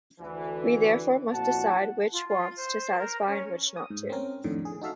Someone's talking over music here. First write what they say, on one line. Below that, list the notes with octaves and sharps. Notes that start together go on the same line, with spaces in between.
We therefore must decide which wants to satisfy and which not to.
D2 D3 E3
F2 A#2 E4 F#4 F#5 A5
F4
F4
C5
A#4
C#4
D#6
G#2
C4 C#4 A#4
F2 A2 D3 D#3
G#4
D#4 F#4 A4 E5 F5